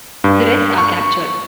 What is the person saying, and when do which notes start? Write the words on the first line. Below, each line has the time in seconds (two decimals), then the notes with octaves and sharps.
The rest are captured.
0.24 G2
0.78 C#6